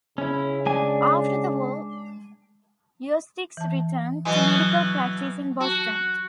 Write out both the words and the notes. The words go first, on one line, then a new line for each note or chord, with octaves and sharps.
After the war Eustis returned to medical practice in Boston.
C#3 C#4 E4
G#3 D4 G#5
E3 A5
B2 E3 F#3 B3 D#5 G#5
F#4 A5